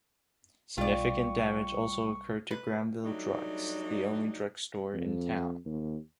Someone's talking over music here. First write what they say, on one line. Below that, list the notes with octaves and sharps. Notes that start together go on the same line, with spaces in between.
Significant damage also occurred to Granville Drugs, the only drug store in town.
B1 G3 F4 D5 C#6
B4
F#3 G3 A3 D4 D#4
F2
D#2